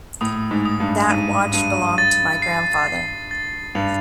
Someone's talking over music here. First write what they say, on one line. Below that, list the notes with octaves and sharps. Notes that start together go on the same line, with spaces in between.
That watch belonged to my grandfather.
A2 D#6
G#2
D#6
G2
G#2 D#7
G2 D#7
A6
C7
A6
A6
G2 F7